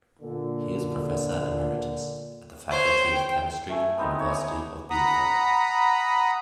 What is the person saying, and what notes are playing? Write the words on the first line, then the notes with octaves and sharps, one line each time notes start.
He is Professor Emeritus at the Faculty of Chemistry, University of Bielefeld.
A#2 D3
C5 C#5
G5
A3 G#5
B3 C4 D#4 E4
D#4 C#5
G#5 D6 D#6
F#5 A#5 B5 D#6